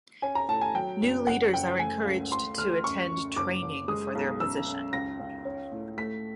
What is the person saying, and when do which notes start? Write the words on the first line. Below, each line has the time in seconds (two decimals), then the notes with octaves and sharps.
New leaders are encouraged to attend training for their position.
0.22 C#4 G#5
0.35 A#5
0.49 A2 A5
0.61 G#5
0.75 F#3 G5
1.01 F#1
1.27 F#1 F#5
1.53 F#1 G5
1.79 A3 G#5
2.05 C#2
2.31 A3 C6
2.57 D2 F6
2.84 F#2 C#6
3.10 F#2
3.36 F#1 D6
3.62 F#1
3.88 G#3 D#6
4.15 B1
4.40 F#2 E6
4.67 F#2
4.93 C#2 A#6
5.20 C#2
5.45 C#4
5.72 A2
5.98 A3 B6